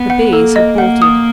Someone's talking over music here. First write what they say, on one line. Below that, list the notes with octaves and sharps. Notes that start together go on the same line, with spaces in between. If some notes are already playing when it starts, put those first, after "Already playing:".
The bays had bolted.
Already playing: B3
F#5
A#3 A4
D#5
A#3 F#5
D#6